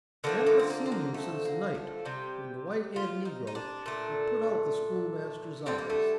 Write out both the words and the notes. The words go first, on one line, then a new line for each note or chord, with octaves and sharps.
I had not seen you since the night when the white-haired negro had put out the Schoolmaster's eyes.
D3 F3 A3 A#3
A#3
C4
A#3
C4
A#3
A3
A#3
A3
C3 G3 G4
F4
D#4
D#4
D4
A#2 A3
D3 G3 C4
A#3
A3